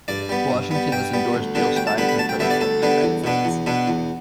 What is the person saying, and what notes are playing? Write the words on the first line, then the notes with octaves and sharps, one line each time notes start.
Washington has endorsed Jill Stein for President of the United States.
G2 D5
G3 B3
G2
G3 B3
G2 G5
G3 B3
D2
D3 G3 B3 D4
D2 G5
A5
D3 G3 B3 D4 B5
B5
D2 A5
G5
D3 G3 B3 D4 E5
D5
D2 A4
D3 G3 B3 D4
E2
B2 B3 D4
E2
B2 B3 D4
E2